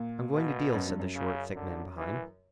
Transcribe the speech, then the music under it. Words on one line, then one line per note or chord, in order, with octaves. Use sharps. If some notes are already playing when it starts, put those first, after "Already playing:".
"I'm going to deal," said the short, thick man behind.
Already playing: A#2
B2
F#2
G2
F#2
C#3
D3
E3